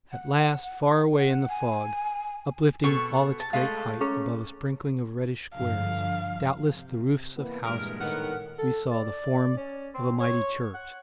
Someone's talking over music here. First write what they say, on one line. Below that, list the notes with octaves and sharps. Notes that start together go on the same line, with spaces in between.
At last, far away in the fog, uplifting all its great height above a sprinkling of reddish squares, doubtless the roofs of houses, we saw the form of a mighty church.
F#5
F#5
G#5
B2 A4 C#6
A5
G#3 A3 F5
C#4 G#4 A#5
G2 D3 F3 F5
C3
E3 A#3 B3
G2 A#2 E3 G#3 A#4
A2 D#3 B3 A#4 F#5
A4
D5
C#4
C4
C#5
F#5